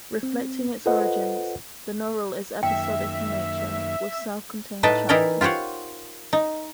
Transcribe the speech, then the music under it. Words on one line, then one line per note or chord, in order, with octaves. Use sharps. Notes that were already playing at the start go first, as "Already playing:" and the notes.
Reflecting its origins, the novel is episodic in nature, with self-contained chapters.
C4
F4 A4 B4 C5 D#5 F#5
F#2 D#3 A#3 E5 G5
A2 D#4 B4 G5 A5
E3 D#4 E4 A#4 D5 G5
F4 G4 C5 C#5 F#5
D#4